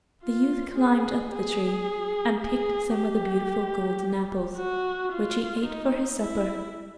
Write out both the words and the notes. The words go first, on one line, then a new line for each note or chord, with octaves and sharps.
The youth climbed up the tree, and picked some of the beautiful golden apples, which he ate for his supper.
F4
G#4
G#4
G#4
G4
F#4
F4
D#4
E4